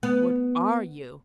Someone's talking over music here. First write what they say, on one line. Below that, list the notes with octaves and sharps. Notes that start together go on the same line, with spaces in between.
What ARE you?
B3